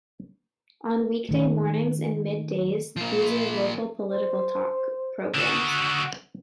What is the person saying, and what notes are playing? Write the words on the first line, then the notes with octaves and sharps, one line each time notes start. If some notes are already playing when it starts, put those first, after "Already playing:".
On weekday mornings and mid-days these are local political talk programs.
D#3 A3
F3 A#3
C5
D3 F#4